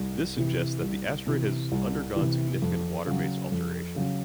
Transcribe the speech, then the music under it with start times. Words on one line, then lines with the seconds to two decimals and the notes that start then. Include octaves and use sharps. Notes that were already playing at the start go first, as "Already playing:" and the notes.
This suggests that the asteroid has undergone significant water-based alteration.
Already playing: C2
0.38 C3 E3
0.82 C2
1.27 C3 E3
1.72 C2
2.16 C3 E3
2.62 F2
3.07 C#3 F#3
3.52 F2
3.96 C#3 F#3